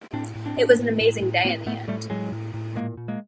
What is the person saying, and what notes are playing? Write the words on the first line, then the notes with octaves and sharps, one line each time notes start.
It was an amazing day in the end.
A2 C4 D4
A2
C4 D4
A2
A2
A2
A2
A2 A#3 C4
A2 A3 B3
A2 G3 A3
A2 F#3 G#3
A2
A2
A#2 G#3 A#3
A#2
G#3 A#3